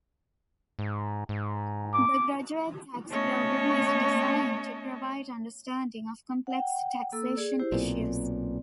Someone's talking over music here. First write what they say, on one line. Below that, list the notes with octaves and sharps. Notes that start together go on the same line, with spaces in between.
The Graduate Tax Program is designed to provide understanding of complex taxation issues.
G#2
G#2
D6
A3 B3 C#4 C#5 D#5 A5
F#5 G5
A#3 A4 E6
G#4 D5
E4 G4 C5
B1 A#2 C4 D5